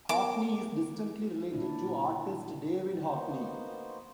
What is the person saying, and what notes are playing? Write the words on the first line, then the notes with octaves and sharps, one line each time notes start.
Hockney is distantly related to artist David Hockney.
B3 A#4 D6
A#2 D#3 D4 E4
A#3 B3 D#4 F#4 C5